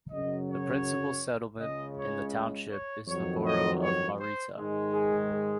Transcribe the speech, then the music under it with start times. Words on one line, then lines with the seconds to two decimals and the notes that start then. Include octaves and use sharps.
The principal settlement in the township is the borough of Marietta.
0.11 F#2 C#3 F#3 D#5
0.48 C#5
1.59 C#2 C#3 G#3 D#5
1.97 C#5
2.70 C#5
3.07 F2 D#3 F#3 C#5
3.44 D#5
3.81 C#5
4.19 C5
4.55 G#2 D#3 G#3
4.93 G#4
5.29 G#4